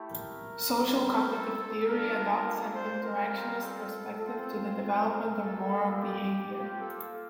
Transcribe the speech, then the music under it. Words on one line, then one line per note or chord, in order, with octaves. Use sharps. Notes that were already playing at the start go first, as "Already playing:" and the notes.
Social cognitive theory adopts an "interactionist" perspective to the development of moral behavior.
Already playing: A3 E4 G4
A#4
G3 C4 E4
A#4
A4
A4
G3 A#3 D4 F4 A#4
A4
C5
G3 C4 F4 A#4
A4
C4 F4 A4
C5
A#4
G3 A#3 F4 A4
G4
A#3 F4 G4
A4